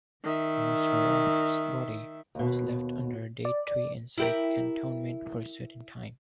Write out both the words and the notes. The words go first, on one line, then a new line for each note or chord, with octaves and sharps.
Mosharraf's body was left under a date tree inside cantonment for a certain time.
D#3 E5
D#2 B2
D5
E4 G4 A#4